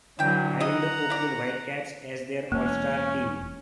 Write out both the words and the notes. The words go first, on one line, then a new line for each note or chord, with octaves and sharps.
Having the Oakville Whitecaps as their All-star team.
D3 E3 F#3 E4 G5
E4 D#5 F#5 A#5
E4 D5
E1 A#3 C#4